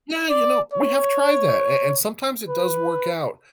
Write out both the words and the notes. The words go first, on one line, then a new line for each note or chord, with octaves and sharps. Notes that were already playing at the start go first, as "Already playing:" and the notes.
Yeah, you know, we have tried that, a and sometimes it does work out,
D5
C#5
B4